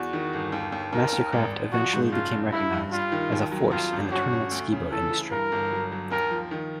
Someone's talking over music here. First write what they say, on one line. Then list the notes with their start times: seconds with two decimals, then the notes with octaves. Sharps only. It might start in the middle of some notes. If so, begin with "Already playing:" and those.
MasterCraft eventually became recognized as a force in the tournament ski boat industry.
Already playing: E2 F#4
0.13 D#3
0.33 G1
0.52 D#2
0.72 D#2
0.93 D#2 A#4
1.13 D#2
1.33 G#1
1.52 G#1
1.72 F3 F#4
1.93 G#2
2.12 F#1 F4
2.32 F#1
2.52 G2 E4
2.73 G2
2.92 G3 F4
3.12 D#3
3.32 D#2
3.52 F#3
3.72 F2 F4
3.93 G1
4.12 C#4 F#4
4.32 C#4
4.51 D2
4.72 C#3
4.91 E3 A4
5.11 E3
5.31 G2 A#4
5.52 G1
5.72 F#3
5.92 F#3
6.11 D#2 A#4
6.31 F3
6.51 D#3